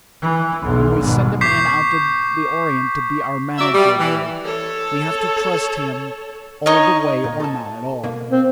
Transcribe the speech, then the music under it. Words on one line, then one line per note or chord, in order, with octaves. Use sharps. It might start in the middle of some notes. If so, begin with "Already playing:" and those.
When we send a man out to the Orient to be our manager there, we have to trust him all the way or not at all.
E3
B1 E2
G#1 B2
C#6 D6 G6 B6 C7
F#3 F#4 D5 E5
G3
E3
A4 C#5
D#4 C#5 D#5
A#2
A4 A5
B2 A#3
C4